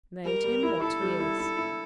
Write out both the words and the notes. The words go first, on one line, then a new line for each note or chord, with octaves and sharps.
Made him what he is!
G3 A#4
G3
E4
E4 A4
G3
E4
E4
E4